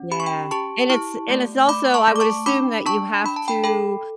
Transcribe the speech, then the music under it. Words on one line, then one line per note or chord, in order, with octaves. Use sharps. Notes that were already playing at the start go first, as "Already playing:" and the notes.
Yeah. And, it's and, it's also, I would assume, that you have to,
Already playing: C#4
G4 B5
C#6
G5 B5
G4 A5 C#6
E4 A5 C#6
A3
A3 B5 D6
A5 C#6
A3
D6
A5 C#6
D4 B5 D6
D4 A5 C#6
D4 B5
A5
G5 B5
A4 G5 B5